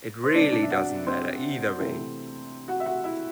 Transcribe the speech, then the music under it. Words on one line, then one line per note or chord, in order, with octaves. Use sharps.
It really doesn't matter either way.
C5
C3 G3 B3 D4 D5
D4 D5
E5
F#4 F#5
C4 C5
C3 E3 A3 C4 E4
F#4 F#5
E5
F#4 F#5
E4 E5